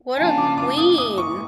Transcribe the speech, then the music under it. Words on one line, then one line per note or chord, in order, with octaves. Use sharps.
What a queen!
C#3 F3 A#3 D4 F4 G#5
D6
D6
D#6
D#6
C#6